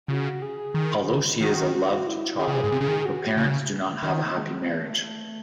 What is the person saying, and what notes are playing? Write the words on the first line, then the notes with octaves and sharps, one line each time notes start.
Although she is a loved child, her parents do not have a happy marriage.
C#3 F#4
G#4
D#3
D#3 F#4
F#4
E4
D#3 G#4
C#3
C3
G#2
C3
C#3
D#3
F#4
C#3
D#3 D#4
G#3
A3
A3